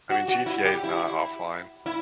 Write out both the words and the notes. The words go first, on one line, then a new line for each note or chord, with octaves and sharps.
I mean, GTA is not offline.
F#4
F#4
E4
G4
E4
E4